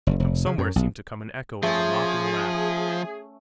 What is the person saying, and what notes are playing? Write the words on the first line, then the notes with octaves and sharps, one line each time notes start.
From somewhere seemed to come an echo of a mocking laugh.
F#1
F1
C#3
F#2
B1
F3 A3 C#4 G#4